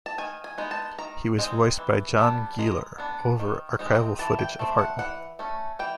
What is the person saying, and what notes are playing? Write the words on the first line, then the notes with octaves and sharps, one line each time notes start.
He was voiced by John Guilor, over archival footage of Hartnell.
A5
D#3 G#5
G#5
G#3 B3 D#4
A5
D#3 A#5
G#3 C4 D#4
E3
G3 B3 D4
G#3 A#5
B3 D4
D#3
G#3 C4 D#4
E3 A5
G5
A3 C4
F#5
E3 F#5
A3 C#4
E3 G5